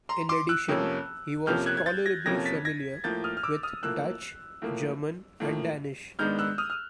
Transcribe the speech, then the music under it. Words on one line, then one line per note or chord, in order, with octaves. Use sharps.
In addition, he was 'tolerably familiar' with Dutch, German and Danish.
A#5 C6
C6 D6
E6 F#6
F2 C3 F3 A#3 C#4
F2 C3 F3 A#3 C#4 F6 G6
F#6 G#6
G#6
G6 A6
G#6 A#6
F2 C3 F3 A#3 C#4 G#6 A#6
A6 B6
G#6 A#6
A2 F3 A#3 G6 A6
D#6 F6
F6
D6 E6
D#6 F6
A2 F3 A#3 E6 F#6
A2 F3 A#3
A2 F3 A#3
G#2 D#3 G#3 B3 D4 F6 G6
E6 F#6
D#6 F6
F6